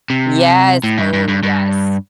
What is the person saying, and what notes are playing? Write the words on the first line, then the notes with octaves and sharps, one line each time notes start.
Yes, oh, yes.
C3
A2
G2
G2
G2
G2